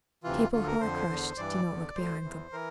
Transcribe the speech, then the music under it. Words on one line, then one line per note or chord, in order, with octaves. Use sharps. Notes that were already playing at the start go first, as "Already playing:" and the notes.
People who are crushed do not look behind them.
D2 C3 E3 F4
D2 D3 F4
A#4
F2 D3 C5
E2 D3
G2 E3 D5
E2 D3
D2 D3 C5
E2 E3
E3 A#4